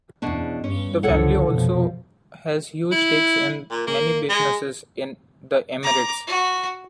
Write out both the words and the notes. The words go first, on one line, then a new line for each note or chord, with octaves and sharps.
The family also has huge stakes in many businesses in the Emirates.
E2 B2 C#4 D4
G2 C#4
C#2 D3 F3 A4 C#5 F#5
F1 B2 F3
E4
A#2
A#3
G#3
A#5 D6
F#4